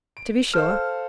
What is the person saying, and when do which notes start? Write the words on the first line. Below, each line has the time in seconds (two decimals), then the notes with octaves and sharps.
'To be sure.
0.17 D7
0.54 A4 C5 F5 F6